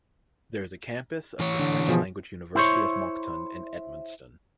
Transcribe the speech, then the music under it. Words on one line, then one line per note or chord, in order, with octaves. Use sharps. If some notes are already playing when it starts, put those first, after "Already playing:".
There is a campus of the French language University of Moncton in Edmundston.
E3 C#5
D3
B2 F3 G#4
E4 C5 C#5